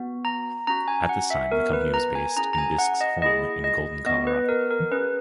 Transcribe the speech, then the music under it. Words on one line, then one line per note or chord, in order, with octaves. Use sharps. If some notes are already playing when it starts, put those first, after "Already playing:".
At this time, the company was based in Bisque's home in Golden, Colorado.
Already playing: B3 F#4
A#5
C#4 F#4 A#5
G#5
F#5
E5
B3 F#4 A#4
B4
A#5
G#5
C#4 E4 G#4 A#5
A#5
G#5
F#5
D#5
A#3 E4 G#4 D#5
D#5
B3 F#4 D#5
B4
A#4
A#4
C#4 G#4 B4